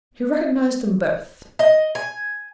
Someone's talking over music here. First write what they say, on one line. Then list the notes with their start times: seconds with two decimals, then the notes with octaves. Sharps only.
He recognised them both.
1.59 D#5
1.95 G#5